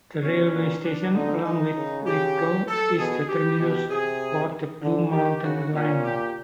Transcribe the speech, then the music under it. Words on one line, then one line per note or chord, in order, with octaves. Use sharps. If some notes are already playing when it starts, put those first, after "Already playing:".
The railway station, along with Lithgow, is the terminus for the Blue Mountains Line.
B2 C#4
A#2
D4
D3 D#4
D#4
C#3
G4
A4
B2 G#4
G4
B2
C3 G#4
D3
D#3 G4
C#3 F#4
A#2 C#4
G4